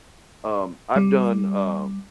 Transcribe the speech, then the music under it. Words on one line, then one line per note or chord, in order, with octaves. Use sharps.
Um, I've done, um
G3